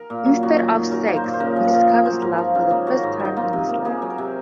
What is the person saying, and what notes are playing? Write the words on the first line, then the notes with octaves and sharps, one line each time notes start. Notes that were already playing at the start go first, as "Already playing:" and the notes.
Instead of sex, he discovers love for the first time in his life.
Already playing: A#4
A#2
F#3
F#2 F#4
D#3
F#2
F#3 A#4
A#3
C5
A#2
C5
C#3 A#4
F3
A#4
C#3
A#3
F#3 C5
G#2 A#4
F3
C#3
A#3
D#3 F#4
G#2
F#3
D#4
A#3 F4
C3
A#3
A#3 G#4
F#3
A#4
C3